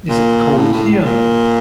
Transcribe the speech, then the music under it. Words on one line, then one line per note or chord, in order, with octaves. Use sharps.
Is it cold here?
A#2
A2
A2
A#2